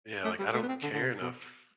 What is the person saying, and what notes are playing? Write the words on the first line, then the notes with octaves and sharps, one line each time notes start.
Yeah, like, I don't care enough,
A3
G3
A3
B3
C4
D3
D3
C3
B2